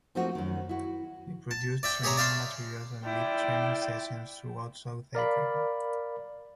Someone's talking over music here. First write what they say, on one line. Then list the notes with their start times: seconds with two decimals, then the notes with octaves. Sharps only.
He produced training materials and lead training sessions throughout South Africa.
0.15 F3 A3 A#3 C4 D#4 F#4
0.35 F#2 D#3
0.69 E4 F#4
1.51 A5
1.83 D5 E5 G5
2.03 G4 G#4 C#5 E5 A#5
2.17 D5 E5 F5 G5 A5 C6
3.04 E4 F4 G4 D5 G5
5.15 A#4 D5 F5 B5